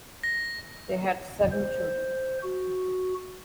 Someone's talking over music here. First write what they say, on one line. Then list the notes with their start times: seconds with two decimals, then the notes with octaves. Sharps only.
They had seven children.
0.23 A#6
1.52 C5
2.43 F#4